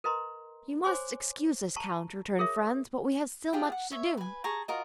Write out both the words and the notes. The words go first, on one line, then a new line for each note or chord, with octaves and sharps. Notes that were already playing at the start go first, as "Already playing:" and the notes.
"You must excuse us, count," returned Franz, "but we have still much to do."
A#4 B4 D#5 A#5 C6
C5 C#5 G#5 C6 D6
A5 A#5 C#6
G#4 A#4 C#5 E5
F4 G4 G#4 G5
F#5
C#5 E5
B4 G#5
G#4 A5 A#5 C#6
F4 F#4 A#4 D#5